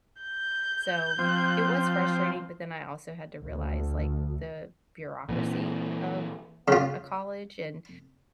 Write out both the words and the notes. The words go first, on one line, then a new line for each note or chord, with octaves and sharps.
So, it was frustrating, but then I also had to realize, like, the bureaucracy of a a college and
G6
F3 C4
D2
A#2 E3 C4
C#3 F4